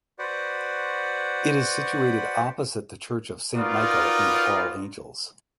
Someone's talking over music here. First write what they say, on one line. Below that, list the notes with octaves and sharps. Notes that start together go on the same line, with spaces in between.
It is situated opposite the Church of Saint Michael and All Angels.
F#4 B4 C5 D5 F#5
D#4 F4 F#4 A#4 B4 D5